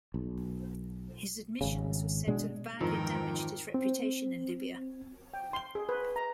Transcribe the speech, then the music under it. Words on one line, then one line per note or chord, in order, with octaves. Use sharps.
His admissions were said to have badly damaged his reputation in Libya.
B1
G#1 C#3
B2 G#3 D4
F2 G#2 D#3 E3 F4 A#4 G5
C4
G5
C6
G#4
B4
A#5